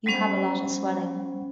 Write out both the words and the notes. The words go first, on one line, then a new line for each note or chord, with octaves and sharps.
You have a lot of swelling.
F#3 G3 B3 C#4 C5 F#5